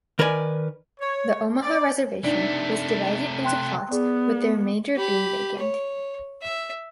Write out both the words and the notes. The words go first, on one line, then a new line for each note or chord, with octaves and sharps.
The Omaha Reservation was divided into plots with the remainder being vacant.
D#3 A#4 B4 D5 G#5
C#5
D5
C3 A3 D4 D#4 D5
G5 C6 F#6
B3 G#4 D5
G4 B5
C#5
E5